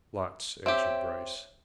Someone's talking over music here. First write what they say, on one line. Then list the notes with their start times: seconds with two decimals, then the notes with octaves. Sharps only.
"Lots!" answered Bryce.
0.66 C4 G4 C#5 E5